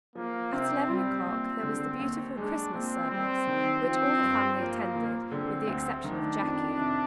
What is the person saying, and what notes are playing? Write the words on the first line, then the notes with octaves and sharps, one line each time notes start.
At eleven o'clock there was the beautiful Christmas service, which all the family attended, with the exception of Jackie.
F3 A#3
C3 C4
G3 C4
A#2
D3
D#2
G#3 D4
A#2 C4
G3 C4
D#3
F3 C4
G2
F3 A#3
A#2
D3 C4
D2
D#3 D4
F2
C3